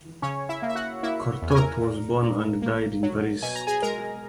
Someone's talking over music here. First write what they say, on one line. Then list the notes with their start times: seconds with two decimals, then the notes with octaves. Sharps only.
Cortot was born and died in Paris.
0.22 C#3 C#4 C#5
0.49 E4 E5
0.62 A#3
0.69 E5
0.75 F#4 F#5
1.03 A#3 E4 E5
1.42 E2
1.50 G#5
1.55 A#4 A#5
1.82 A#2
2.22 A#2
2.62 A#3
3.03 F#3
3.42 B2 G#5
3.55 A#5
3.67 G#4 G#5
3.82 G#3 A#4 A#5